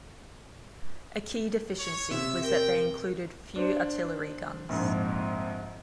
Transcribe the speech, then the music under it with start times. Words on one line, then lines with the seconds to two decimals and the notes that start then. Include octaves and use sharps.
A key deficiency was that they included few artillery guns.
1.79 C#5
2.11 C3 E5
2.43 A#4 G5
3.56 D4 C5
4.69 A#1 F2 G#2